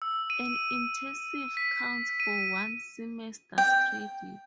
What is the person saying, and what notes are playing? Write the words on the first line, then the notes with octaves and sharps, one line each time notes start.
An intensive counts for one semester's credit.
E6
D#7
B6
D#7
G5